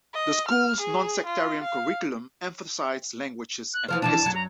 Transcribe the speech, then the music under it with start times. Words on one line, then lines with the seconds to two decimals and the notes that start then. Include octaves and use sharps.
The school's nonsectarian curriculum emphasized languages and history.
0.14 D#5
0.48 F6
0.80 G#4
1.26 F4
1.63 F5
3.74 F#6
3.88 E3 F3 C5 F6
4.02 E3 F3 D4 A5
4.21 F#2 F#3
4.35 A#5